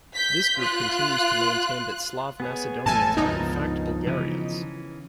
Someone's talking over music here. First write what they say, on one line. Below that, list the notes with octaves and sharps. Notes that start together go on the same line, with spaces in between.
This group continues to maintain that Slav Macedonians are in fact Bulgarians.
G6 B6
F4 F#6
B3 G#4 C#5
A1 F#2 A4 E5 G#5 A5
C#2 G2 D#3 F3 B3 D#4
C#3 E3